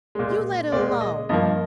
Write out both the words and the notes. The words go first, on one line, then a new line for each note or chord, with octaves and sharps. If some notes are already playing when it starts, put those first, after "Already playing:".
You let it alone!
A#2 G#3
A#2 G#3 D5
D#5
G2 F3 A#3 D#5